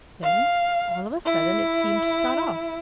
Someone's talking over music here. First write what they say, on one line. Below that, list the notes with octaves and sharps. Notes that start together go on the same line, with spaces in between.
Then, all of a sudden, it seemed to start off.
F5
E4